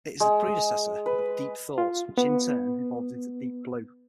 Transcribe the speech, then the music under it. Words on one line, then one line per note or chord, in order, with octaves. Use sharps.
It is the predecessor of Deep Thought which in turn evolved into Deep Blue.
G#3
B4
F4
B3